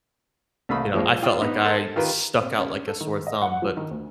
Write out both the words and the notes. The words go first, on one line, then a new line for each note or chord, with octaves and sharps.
you know, I felt like I stuck out like a sore thumb, but
C2 A3 A#3 B5 D#6
F3 G#3 A#3
F4 G5 D#6
B3 D#4
A4 A#4 C5 A5 C6
D#3 F4 G4 A#4 B4
C4
C#4
A4
D#3
D#5
F#5
F3
D#3
D2